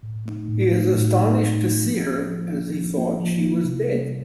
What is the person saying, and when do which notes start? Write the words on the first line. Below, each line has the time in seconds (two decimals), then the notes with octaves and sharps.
He is astonished to see her, as he thought she was dead.
0.03 A2
0.26 A3 D#4
0.48 A2
0.71 A3 D#4
0.94 A2
1.16 A3 D#4
1.39 A2
1.61 A3 D#4
1.84 F3
2.06 A#3 F4
2.28 F3
2.52 A#3 F4
2.75 F3
2.97 A#3 F4
3.20 F3
3.42 A#3 F4
3.64 C3
3.88 G3 A#3